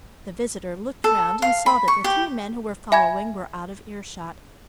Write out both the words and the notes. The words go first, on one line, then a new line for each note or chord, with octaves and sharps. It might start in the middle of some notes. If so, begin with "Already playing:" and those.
The visitor looked round and saw that the three men who were following were out of ear shot.
A4
F5
B5
C#6
G4
E5 G#5 B5 G#6